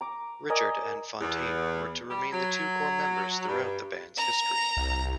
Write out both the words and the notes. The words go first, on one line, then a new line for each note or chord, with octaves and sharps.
Richard and Fontaine were to remain the two core members throughout the band's history.
A#5 D6
A#4 D5 D#5 G#5
E2
G3
F#3
G2
A#5
C2